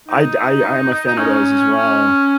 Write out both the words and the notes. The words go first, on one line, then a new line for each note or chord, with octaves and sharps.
I'd I I am a fan of those as well.
D#4
D#4
C#4
C#4